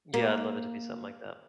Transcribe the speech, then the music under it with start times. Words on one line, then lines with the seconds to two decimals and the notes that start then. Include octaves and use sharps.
yeah, I'd love it to be something like that.
0.14 A#3